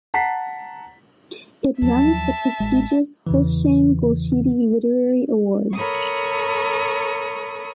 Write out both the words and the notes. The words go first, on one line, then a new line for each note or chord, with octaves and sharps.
It runs the prestigious Hooshang Golshiri Literary Awards.
F#5 A5 A#5 B6 C7
D#2 F3 F#3 E5 A5
A1 G#3
E2 C#3 E3
A4 A#4 C#5 B5 C#6 D#6